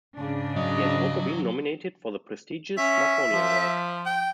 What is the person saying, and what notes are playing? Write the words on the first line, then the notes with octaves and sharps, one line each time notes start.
He has also been nominated for the prestigious Marconi Award.
G#2 C#3 D4
F#3 D#5
C#4 E5
F3
G5